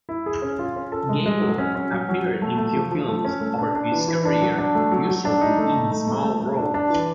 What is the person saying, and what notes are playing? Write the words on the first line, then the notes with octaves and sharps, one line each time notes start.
Gabel appeared in few films over his career, usually in small roles.
E4
G#4
C#4
F4
C#4
A4
G#3
G#3
F#3
C#4
C#4
F#3
F#3
F#3
A3
A3
F3
F3
A3
C#4
A3
D4
D4
E3
E3
D4
F#3
D4
A3
F#3
F#3
D4
D#4
A3
D#4
A3
A3
A3
A3
D4
D4
E3